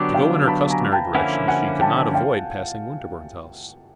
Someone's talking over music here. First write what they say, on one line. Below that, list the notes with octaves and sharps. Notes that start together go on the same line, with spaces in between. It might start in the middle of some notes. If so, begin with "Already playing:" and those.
To go in her customary direction she could not avoid passing Winterborne's house.
Already playing: D3 F#3 B3 D4 G4
F5 G5
A5 B5
G#5 A#5
G5 A5
D3 F3 A#3 C#4 E4 F#5 G#5
F#5 G#5
G5 A5
F5 G5